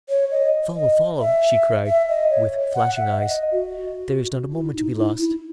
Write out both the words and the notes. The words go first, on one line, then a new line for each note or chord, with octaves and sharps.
"Follow, follow!" she cried, with flashing eyes; "there is not a moment to be lost."
C#5
D#5
D#5
E5
E5
D#5
C#5
F#5
E5
D#5
F#4
E4
D#4
E4
E4